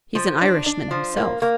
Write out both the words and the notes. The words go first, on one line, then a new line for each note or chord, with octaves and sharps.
"He's an Irishman himself."
F3
D4
D4
F3
A#3
A#3